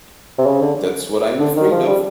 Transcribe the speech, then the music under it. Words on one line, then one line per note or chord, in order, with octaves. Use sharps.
That's what I'm afraid of.
C3
C#3
D3
D3
D#3
F3
G3